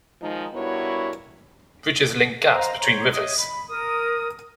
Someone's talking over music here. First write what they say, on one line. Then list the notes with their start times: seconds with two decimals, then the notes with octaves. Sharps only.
Bridges link gaps between rivers.
0.22 D#3 F3 G#3 D#4
0.54 G2 B3 E4 F#4 A#4 C#5
2.50 C5 D#5 F5 A#5
2.79 C5 C#5 A#5
3.12 C#5 D#5 E5 D#6
3.38 B5
3.69 A#4 D#6